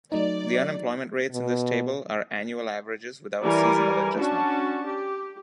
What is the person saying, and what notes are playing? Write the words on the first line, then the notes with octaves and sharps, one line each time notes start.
The unemployment rates in this table are annual averages without seasonal adjustment.
F#3 A3 D#4 D5
B2
E3 G3 A#4 D5 G#5
C#4 D4 F#4 A5
G4